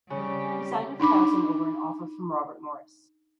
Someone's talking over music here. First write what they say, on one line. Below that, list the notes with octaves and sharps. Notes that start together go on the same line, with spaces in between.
He signed with Towson over an offer from Robert Morris.
C#3 G3 C4 G4
D4 D#4 B5 D6